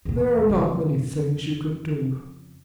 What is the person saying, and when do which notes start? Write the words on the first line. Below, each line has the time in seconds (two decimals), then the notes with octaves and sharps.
"There are not many things you could do."
0.05 E2 A#2
0.49 F2 C#3